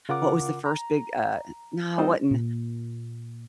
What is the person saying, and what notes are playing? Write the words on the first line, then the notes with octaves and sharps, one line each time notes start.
what was the first big, uh no, it wasn't
C#3 F4 A#4 F#5 D6
A#5
G3 C4 D#4 F4 C5 D#5
A#2